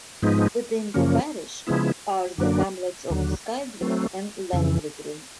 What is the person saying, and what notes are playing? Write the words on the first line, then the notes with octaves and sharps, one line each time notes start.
Within the parish are the hamlets of Skye Green and Langley Green.
G#2 F3 G#3 B3 D#4
F#2 C#3 F3 A#3 C#4
C#3 F3 G#3 B3 E4
F#2 D3 F#3 A#3 D4
D#2 D3 F#3
F#3 A3 C4
F2 C#3 E3